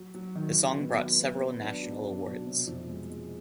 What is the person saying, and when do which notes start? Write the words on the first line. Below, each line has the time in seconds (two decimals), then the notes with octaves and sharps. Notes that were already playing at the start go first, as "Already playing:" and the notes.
The song brought several national awards.
Already playing: F#3
0.15 F#3
0.35 D#3
0.56 D#3
0.77 B3
0.99 F#3
1.20 B3
1.40 F#3
1.62 D4
1.83 B2
2.04 F#3
2.25 B2
2.46 C3
2.67 F2
2.88 G#3
3.10 G#3